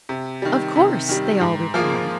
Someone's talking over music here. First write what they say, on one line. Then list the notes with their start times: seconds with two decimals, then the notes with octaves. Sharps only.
"Of course," they all replied.
0.09 C3
0.42 D#3 G3
0.76 C3
1.09 D#3 G3
1.41 G#2
1.74 F3 A#3 F4 G#4